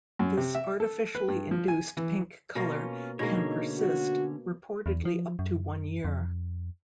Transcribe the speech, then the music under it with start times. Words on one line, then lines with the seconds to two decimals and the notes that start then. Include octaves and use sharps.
This artificially induced pink color can persist, reportedly up to one year.
0.19 F#2
0.37 C3
0.55 E5
0.80 A4
1.15 B4
1.28 G2
1.51 F3
1.68 G#5
1.97 E3
2.55 B2 A#3 C#4 F4 F5
3.19 B2 D3 G#3 A#3 C#4 D#4 C#5
3.78 F#4
4.86 E2
5.05 F3
5.39 F#2
6.04 F2